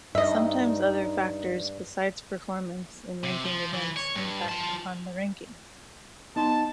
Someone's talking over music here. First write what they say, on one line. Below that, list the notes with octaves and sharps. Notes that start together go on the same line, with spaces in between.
Sometimes other factors besides performance in ranking events impact upon the rankings.
G2 D#4 D#5 E5
C3
F3
E3
C#5
G2
F4 A5
B3 D#4 A5 C6